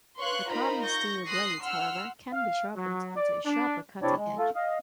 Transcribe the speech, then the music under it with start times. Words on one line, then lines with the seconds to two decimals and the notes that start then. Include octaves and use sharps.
The carbon steel blades, however, can be sharpened into a sharper cutting edge.
0.19 B4 C#5 F5 C6 C#6 F#6
0.50 D#4 F4 A#4 C5 A#5 B5
0.83 C#6 G6 A#6
1.28 C6 D#6 F#6 A#6 C7
1.64 F#5 C6 E6 F6
2.32 F5
2.76 F#3
3.16 D5
3.46 D4
4.03 C3 C4 D4 E4 C#5 D5
4.17 G#3
4.38 A3 F4 A4
4.56 D#5 F5